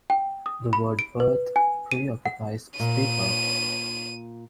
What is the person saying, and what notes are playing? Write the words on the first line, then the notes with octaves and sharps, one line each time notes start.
The word 'birth' preoccupies Speaker.
G5
D#6
B5
D7
B4
G#5
D#7
F#5
A#2 D#7